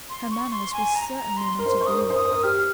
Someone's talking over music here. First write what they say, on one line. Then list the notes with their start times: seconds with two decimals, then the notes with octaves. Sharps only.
Her manners were certainly not agreeable.
0.10 C6
0.31 C#6
0.52 C6
0.74 G#5
0.95 A#5
1.16 A#5
1.37 C6
1.59 A#4 C6
1.66 C5
1.72 A#4
1.81 C5 C#6
1.86 A#4 D#6
1.95 C5
2.02 A#4
2.10 C5
2.15 A#4 D#6
2.25 C5
2.32 A#4
2.43 G4 F6